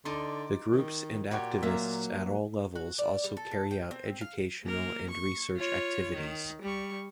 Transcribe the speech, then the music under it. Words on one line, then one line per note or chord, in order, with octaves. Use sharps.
The groups and activists at all levels also carry out educational and research activities.
D3 D#4 D5 C6
D#3
A#2 F#4 G4 C#5
F#3 A#3 E5
F#4
D5
G3
A4
A4
G5
C4
F5
A#3 A#4
C#6
F4 C#5
D#3
G3 C#6